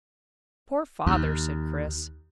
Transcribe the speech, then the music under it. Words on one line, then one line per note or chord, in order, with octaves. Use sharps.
"Poor father!" said Chris.
D#2